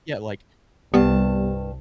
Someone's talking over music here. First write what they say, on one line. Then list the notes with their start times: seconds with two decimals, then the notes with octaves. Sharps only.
yeah, like,
0.94 C2 G2 G3 B3 A5